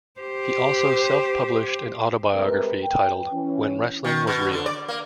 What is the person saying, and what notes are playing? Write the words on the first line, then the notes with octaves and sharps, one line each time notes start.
He also self-published an autobiography titled "When Wrestling Was Real".
G4 C5
C3 G3 G#3 A#4 B4
G5
E3 C#4
D#3
B2
D3
D5
A#3